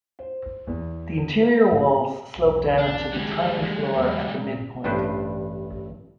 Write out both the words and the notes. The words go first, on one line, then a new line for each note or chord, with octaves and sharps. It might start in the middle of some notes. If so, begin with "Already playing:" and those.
The interior walls slope down to the tiny floor at the midpoint.
C5
E2
B4
A1
B1 E2
D4
D3 D#3 G3 G#3
E2 B3
A#2
A1 G2 D4 B4 C5